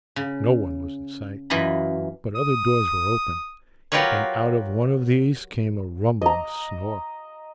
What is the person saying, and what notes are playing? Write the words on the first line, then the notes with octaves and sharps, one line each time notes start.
No one was in sight; but other doors were open, and out of one of these came a rumbling snore.
C#3
F#2 E3 F4 D#5 B5
D#6
F#3 F4 G4 A#4 B4 C#5
D#5 A#5